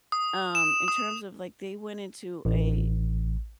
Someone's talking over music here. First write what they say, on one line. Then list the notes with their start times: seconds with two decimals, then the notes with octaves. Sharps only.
um, in terms of, like, they went into a
0.12 D#6
0.55 E7
0.88 D#6
2.45 A1